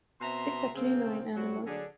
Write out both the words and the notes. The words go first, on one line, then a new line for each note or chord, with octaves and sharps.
It's a canine animal.
B2 C4 E5 A#5 C6
C#3 A#3 C4
F#3 G3 C4 F#4
D3 F#3 D4 G#4 A4